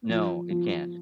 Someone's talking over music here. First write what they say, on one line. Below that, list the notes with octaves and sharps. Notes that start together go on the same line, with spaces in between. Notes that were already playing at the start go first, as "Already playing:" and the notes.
No, it can't.
F3
F3